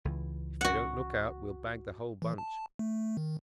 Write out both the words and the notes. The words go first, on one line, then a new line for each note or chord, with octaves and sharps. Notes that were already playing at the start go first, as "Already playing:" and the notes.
If they don't look out we'll bag the whole bunch.
C#2 E3
F#4 F#5
E3
A5
A3
D#3